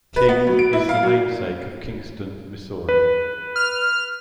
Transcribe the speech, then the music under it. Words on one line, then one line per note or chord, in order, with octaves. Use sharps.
King is the namesake of Kingston, Missouri.
B4
B3
F#3
D7
E4
F5
F#3
B4
F6